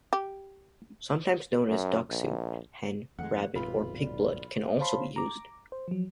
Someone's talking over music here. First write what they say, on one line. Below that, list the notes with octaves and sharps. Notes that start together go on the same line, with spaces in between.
Sometimes known as "duck soup", hen, rabbit or pig blood can also be used.
G4
F#2
A#1
F2 D#3 G#3 A3 F#5
D#1 B1 G#2 C3 F4 B4 B5
D5
C5 C#5 F5 A5 B5 C6
A#5 D6
C5
F3 F#3